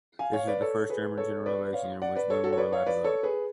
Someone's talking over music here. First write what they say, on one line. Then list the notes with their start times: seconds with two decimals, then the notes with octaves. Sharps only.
This was the first German general election in which women were allowed to vote.
0.19 F5 G#5
0.33 C#5 F5
0.47 B4 D5
0.61 A4 C#5
0.89 G#4 B4
1.18 A4 C#5
1.46 B4 D5
1.73 C#5 F5
2.02 D5 F#5
2.15 B4 D5
2.30 A4 C#5
2.43 F#4 A4
2.53 C#5
2.57 B4 D5
2.72 C#5 F5
2.86 B4 D5
3.04 A4 C#5
3.23 G#4 B4